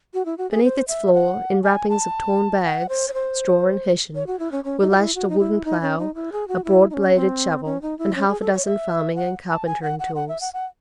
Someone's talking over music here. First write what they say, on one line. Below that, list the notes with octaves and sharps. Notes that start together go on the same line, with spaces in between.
Beneath its floor, in wrappings of torn bags, straw and hessian, were lashed a wooden plough, a broad-bladed shovel, and half a dozen farming and carpentering tools.
F#4
E4
F#4
G#4
C5
E5
F#5
G#5
A5
F#5
C5
C#5
C5
C#5
F#4
E4
C#4
C#4
D#4
F#4
E4
F#4
D#4
E4
D#4
C#4
D#4
E4
G#4
F#4
E4
D#4
C#4
C4
C#4
D#4
E4
C#4
G#4
A4
C#5
E5
F#5
A5
G#5
F#5
F#5
F#5
E5
F#5
F#5